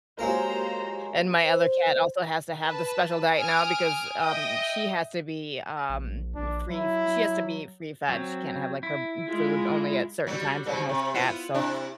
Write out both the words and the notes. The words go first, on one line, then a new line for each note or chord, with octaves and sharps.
and my other cat also has to have the special diet now, because, um, she has to be, um, free she has to be free fed. She can't have, like, her m food only at certain times like most cats, so,
F#3 G#3 A#3 F4 G4 A#4 C5 A#5
C5
B4 A5
G#5 D#6 F6 D7
D#5 E5 G5 D#6
A#1
A#1 D4
F#3 E4
F#3 C4
E4
G#3 F4
F#3 G3
G#2 B2 G3
C3
B3 E4 F4
C3 D4 E4